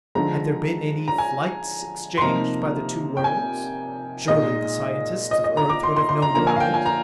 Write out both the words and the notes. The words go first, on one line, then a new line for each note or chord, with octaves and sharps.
Had there been any flights exchanged by the two worlds, surely the scientists of Earth would have known about it.
D3 F3 G#3 A#5
A#5
G#5
C6
C3 F3 A#3 D#4 A#5
G5
G#5
A#2 G#3 D#4 D#5
D#5
D#5
A#5
D6
C6
C6
C6
A#5
D3 F3 A#3 A#5
G#5
F5
G5
G#5
A#5